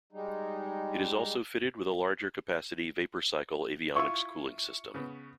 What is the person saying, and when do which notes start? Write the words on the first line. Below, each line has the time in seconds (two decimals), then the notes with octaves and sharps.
It is also fitted with a larger capacity vapor cycle avionics cooling system.
0.12 G3 G#3 D#4
3.96 E4 F4 E5 C#6
4.94 C#3 B3